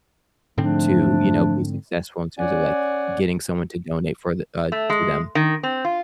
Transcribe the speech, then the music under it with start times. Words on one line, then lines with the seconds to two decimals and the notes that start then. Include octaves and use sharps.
to, you know, be successful in terms of, like, getting someone to donate for the uh, to them.
0.58 G#2 D3 F3 A3 C4 D4
2.39 C#4 D5 F#5 G#5
4.72 A3
4.90 G#3
5.35 D#3
5.63 C4
5.85 F4